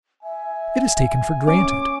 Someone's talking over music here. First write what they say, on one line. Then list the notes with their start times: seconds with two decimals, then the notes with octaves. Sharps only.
It is taken for granted.
0.23 E5 G#5
1.47 C#4 D6